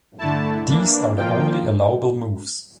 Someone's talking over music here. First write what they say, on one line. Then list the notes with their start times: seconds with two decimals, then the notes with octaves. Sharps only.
These are the only allowable moves.
0.18 D3 A3 E4 A5
0.68 E3 A#3 D4
1.17 A#2 F3 A#3 F4 G5